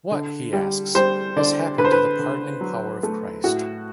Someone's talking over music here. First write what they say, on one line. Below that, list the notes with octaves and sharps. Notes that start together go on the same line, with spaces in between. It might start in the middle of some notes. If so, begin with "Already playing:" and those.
What, he asks, has happened to the pardoning power of Christ?
D3
G3
G3 C5
D3 D5
D3 B4
C5
B4
D3
F#3
A3
A2 F#4